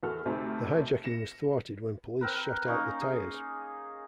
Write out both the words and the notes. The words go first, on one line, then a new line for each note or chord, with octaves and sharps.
The hijacking was thwarted when police shot out the tires.
E2 E3 F#4 A4 F6
D2 C3 A3 C4 D#4 A5
A#6 C#7 E7
C4 A#4 B4
A#3 C#4 D#4
G#4